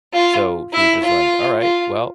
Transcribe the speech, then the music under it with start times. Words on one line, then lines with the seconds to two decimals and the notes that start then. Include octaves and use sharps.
So she was just, like, "Alright, well"
0.13 F4
0.73 E4
1.02 F4
1.61 F4